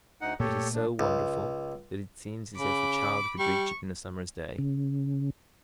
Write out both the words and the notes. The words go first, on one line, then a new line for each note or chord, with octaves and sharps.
It is so wonderful that it seems as if a child could reach it in a summer's day.
D2 D#4 F#5
A#2 A3 G4 A4 C#5
F3 D4
C#2
C#3 B5 D6
G3 C#6
C#3